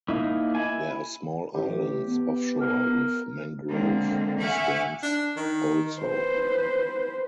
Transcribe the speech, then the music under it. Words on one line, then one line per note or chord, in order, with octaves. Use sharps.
There are small islands offshore with mangrove stands also.
A#3 D#4 E4
E4 G#5
A1 G4
B3
A#4
D3 G#3 A#3 C4
E5 F#5 G#5 C#6 D6 F6
D4
D#3
B4 C5